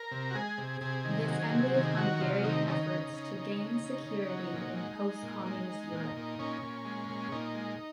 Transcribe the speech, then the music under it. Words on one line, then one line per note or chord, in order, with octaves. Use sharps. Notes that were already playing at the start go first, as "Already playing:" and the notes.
This ended Hungarian efforts to gain security in post-communist Europe.
Already playing: A#4
C3
F#4
G#3 G#4
C3
C3 G#4
D#3
F#3 G#4
C3
D#3 G#4
F#3 F#4
C3 F4
D#3 D#4
C#3 D#4
C#3
C#3
C#3
C#3
C#3
C#3
F#3
A#2
G#3
G#3
A#2
G#3
G#3
A#2
A#2
A#2 C#4
A#2
G#3
A#2
A#2 D#4
G#3